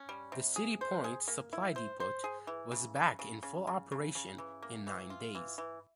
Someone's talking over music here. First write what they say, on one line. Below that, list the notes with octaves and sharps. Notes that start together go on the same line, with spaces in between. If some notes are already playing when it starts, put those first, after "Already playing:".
The City Point supply depot was back in full operation in nine days.
Already playing: C#4
G3
C3
G#4
C5
G#4
A#3
E4
C5
C5
G#4
E3
C#3
C#3
C#3
C#3
C#3
C#3
C#3
E3
A#3
E3
F4
E3
E3